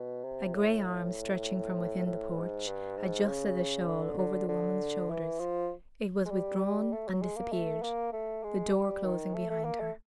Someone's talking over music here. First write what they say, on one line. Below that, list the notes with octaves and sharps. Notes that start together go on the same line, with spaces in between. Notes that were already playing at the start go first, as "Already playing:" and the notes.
A gray arm, stretching from within the porch, adjusted the shawl over the woman's shoulders; it was withdrawn and disappeared, the door closing behind her.
Already playing: B2
C3
A2
A2
G#2
G2
G#2
C#3
D3
D3
D3
E3
F3
G#3
G3
A3
F#3
G#3
A#3
A3
A#3
A3
G#3
G3
D#3
A3
A3
A#3
A3